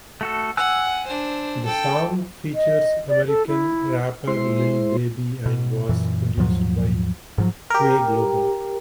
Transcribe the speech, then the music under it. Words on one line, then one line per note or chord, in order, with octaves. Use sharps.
The song features American rapper Lil Baby and was produced by Quay Global.
A3 F#4 A4
F#5 G#5 E6 F#6
D4 C5
A4 G5
D#5
D5
A4
E4
G#3 E4 C5 C6
B2
F#2 A#2 E3
D#2 G#2 F3 F#3
G#2 F3 F#3
G4 A#4